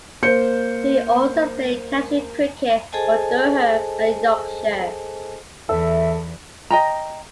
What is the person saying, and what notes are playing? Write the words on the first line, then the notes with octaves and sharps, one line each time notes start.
He also played county cricket for Durham and Yorkshire.
A#3 C5 G6 C#7
G#4 A4 C5 D#5 G#5 A5
E2 A4 E5
D#5 G5 A#5